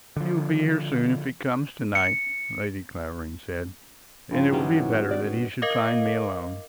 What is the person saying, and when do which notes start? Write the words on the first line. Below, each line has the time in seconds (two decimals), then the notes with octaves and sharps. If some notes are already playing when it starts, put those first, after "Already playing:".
"He will be here soon, if he comes to-night," Lady Clavering said, "and it will be better that he should find me alone."
0.16 D3 F3
1.95 C#7
4.31 G2 F3 C4
4.52 B2 D#3 E3 F#3 C#4 D4
5.11 D5
5.26 B3
5.62 A#4 D#5 F5 D6